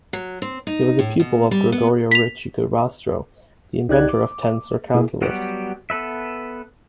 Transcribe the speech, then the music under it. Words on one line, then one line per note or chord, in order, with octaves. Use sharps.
He was a pupil of Gregorio Ricci-Curbastro, the inventor of tensor calculus.
F#3
C4
D#4
A2
B2
G3
B3
B6 F7
C2 D#4 G4 D5 F#6 G#6
D6
B2 A#3 E4 G#4
F#3 G3 B3 F#4 G4
B3 A4 B4 E5